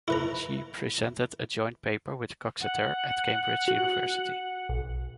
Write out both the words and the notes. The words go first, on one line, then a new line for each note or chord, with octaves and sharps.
She presented a joint paper with Coxeter at Cambridge University.
E4 B4 A#5
F#5
F#4
B1